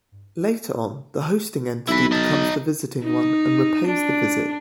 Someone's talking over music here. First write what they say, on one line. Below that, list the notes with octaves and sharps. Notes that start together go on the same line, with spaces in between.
Later on, the hosting entity becomes the visiting one and repays the visit.
B1 E4 B4
D#4 A5
D#4
D4